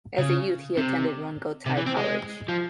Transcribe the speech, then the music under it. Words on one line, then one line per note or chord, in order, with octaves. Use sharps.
As a youth he attended Rongotai College.
C#3
C3
C3
E3
C4
G#3
F3